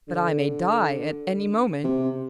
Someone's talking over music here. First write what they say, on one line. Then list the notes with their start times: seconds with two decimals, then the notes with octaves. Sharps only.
"But I may die at any moment."
0.08 D3
1.84 C3